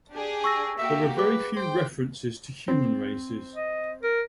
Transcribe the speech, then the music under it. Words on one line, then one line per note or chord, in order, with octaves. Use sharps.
There are very few references to human races.
D4 G4 G#4
C#6 E6 A#6
A#3 F#4 G4 E5
G#4 B4 D6
C5 G5
C4
D#5
A#4